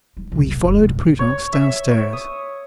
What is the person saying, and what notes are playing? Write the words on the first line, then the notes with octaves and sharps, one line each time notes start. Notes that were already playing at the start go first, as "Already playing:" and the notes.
We followed Prudence downstairs.
G3
C2 F#2
A#2
F#1
E1 G#2
C#5
E5
C#5
D#6